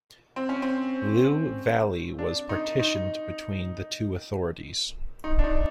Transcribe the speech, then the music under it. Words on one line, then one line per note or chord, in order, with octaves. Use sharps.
Lliw Valley was partitioned between the two authorities.
C4
C#4
C4
D4
D#4
D#4
D#4
D4
D#4